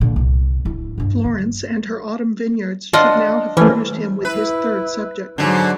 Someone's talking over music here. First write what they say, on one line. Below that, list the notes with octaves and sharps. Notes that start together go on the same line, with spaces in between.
Florence and her autumn vineyards should now have furnished him with his third subject.
A#2 D3
C2
D1 E4
G2 E3
D3
D4 F4 D#5 F#5
E3 A3 C#4
E4 B4
G#2 D3 F#3